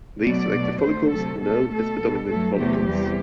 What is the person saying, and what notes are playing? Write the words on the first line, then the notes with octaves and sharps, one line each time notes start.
These selected follicles are known as the dominant follicles.
B2 F#3 A3 D5
B2 F#3 A3
D2 D3 A3 C5
D2 C3 F#3 A3 A4
B2 A3 A4
B2 A3 A4
B2 G3
G2 F#3 A3 A4
E2 C3 F#3 A3 G4
E2 C3 E3 G3